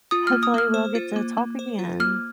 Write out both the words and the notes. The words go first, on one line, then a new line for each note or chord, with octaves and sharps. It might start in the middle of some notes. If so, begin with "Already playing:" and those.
hopefully, we'll get to talk again.
F4 D#6
F6
A#3
D#6
A#3 F6
C5
F4
A#3
A#3
C5
F4
A#3 F6